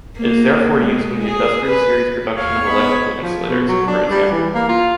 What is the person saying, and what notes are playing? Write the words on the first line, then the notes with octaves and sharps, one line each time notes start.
It is therefore used in the industrial series production of electrical insulators, for example.
A#3
G#3
G#4
B4
E2 C#5 F5
B3 D#5 B5
F3
B2
F#3
D4
G3
E3
A#3
F4